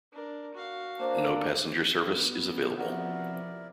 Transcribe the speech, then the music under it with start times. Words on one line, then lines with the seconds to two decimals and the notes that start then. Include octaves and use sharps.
No passenger service is available.
0.12 D4 A#4
0.55 F#4 F5
1.00 A#3 D4 C5
2.14 B3
2.78 C3 F3 E4 F#4 A#4 D5